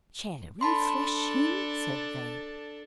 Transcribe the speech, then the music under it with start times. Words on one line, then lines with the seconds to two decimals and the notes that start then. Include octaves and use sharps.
"Shall we thrash him?" said they.
0.61 D4 A4 A5 B5 C6